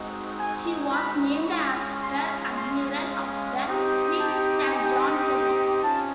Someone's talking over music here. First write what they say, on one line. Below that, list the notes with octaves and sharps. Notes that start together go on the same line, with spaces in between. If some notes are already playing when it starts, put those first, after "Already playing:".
She was named after Admiral of the Fleet Sir John Kelly.
Already playing: G#3 C4 D#4 F#4
G#5
B5
G#3 C#4 F4 C#6
C6
C6
C4 D#4 G4
A5
G#5
C#4 F4 A5